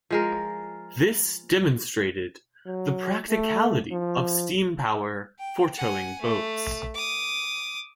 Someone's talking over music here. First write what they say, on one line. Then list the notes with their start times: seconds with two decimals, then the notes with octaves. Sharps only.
This demonstrated the practicality of steam power for towing boats.
0.10 F3 G#3 A#4
2.66 F#3
3.30 A3
3.91 F3
5.39 G5
5.77 F#5 G#5
6.22 A3
6.94 D6 D#6